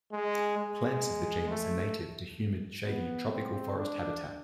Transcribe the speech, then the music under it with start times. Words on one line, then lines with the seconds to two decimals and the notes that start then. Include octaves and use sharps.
Plants of the genus are native to humid, shady tropical forest habitat.
0.12 G#3
0.58 G#3
1.49 A3
2.86 B3
3.31 C4
3.77 D4